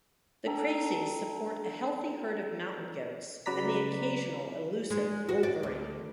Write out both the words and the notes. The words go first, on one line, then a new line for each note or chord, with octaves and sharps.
The Crazies support a healthy herd of mountain goats and the occasional elusive wolverine.
D4 A4 G5 A#5
C#3 F#3 B4 D5 A#5 B6
G#3
F#4
D5
D2